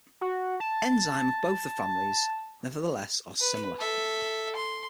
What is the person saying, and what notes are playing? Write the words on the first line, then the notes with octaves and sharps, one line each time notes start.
Enzymes of both the families, nevertheless, are similar.
F#4
A5
B4
A4 E5
C6